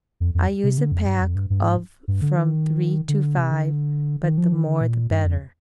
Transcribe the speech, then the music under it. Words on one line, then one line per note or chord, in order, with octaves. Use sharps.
I use a pack of from three to five, but the more the better.
F2
F2
C3
D3
F2
G2
F2
G2
G2
G#2
G2
D3
D#3
D3
C3
D3
D#3
F3
D#3
D3
A#2
G2
F2